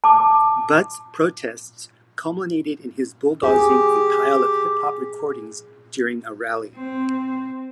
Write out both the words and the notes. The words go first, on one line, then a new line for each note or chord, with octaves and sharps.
Butts' protests culminated in his bulldozing a pile of hip-hop recordings during a rally.
A5 D6
G4 G#4
C4